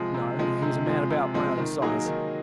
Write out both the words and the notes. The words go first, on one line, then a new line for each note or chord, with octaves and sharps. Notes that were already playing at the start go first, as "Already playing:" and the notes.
"No, he is a man about my own size."
Already playing: C3 F3 G#3
C3
F3 G#3
C3
F3 G#3
C3
F3 G#3
D#3
F#3 A#3 D#4 G#4
D#3